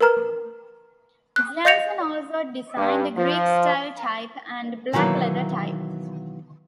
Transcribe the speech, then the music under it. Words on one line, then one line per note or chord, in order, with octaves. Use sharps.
Jenson also designed Greek-style type and black-letter type.
A#4 B4 A#5 F6
F#6
D#5 F5 G6 A#6 C#7 F7
G2
F3
B2 D#3 E3 F#3 A#3